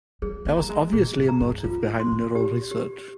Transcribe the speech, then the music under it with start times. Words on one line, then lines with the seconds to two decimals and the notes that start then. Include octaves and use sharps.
There was obviously a motive behind neutral research.
0.22 G3 G#4
0.45 A#3
0.57 G3 A#5
0.69 G#3
0.93 A#2 G#4
1.17 G#2
1.29 A#5
1.40 G2
1.64 F2 F4
2.00 C6
2.12 A#2
2.35 G4
2.71 G4